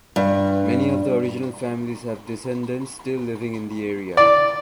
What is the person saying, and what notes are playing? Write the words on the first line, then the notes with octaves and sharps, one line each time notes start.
Many of the original families have descendants still living in the area.
G2
D5